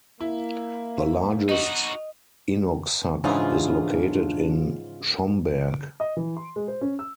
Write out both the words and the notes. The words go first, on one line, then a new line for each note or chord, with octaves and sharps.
The largest inuksuk is located in Schomberg.
A#3 E4
D#4 F#4 D#5
G#2 C#3 E3 F3 D4 F4 G#4
D#5
E3
C6
G#3
C5
C#4
E6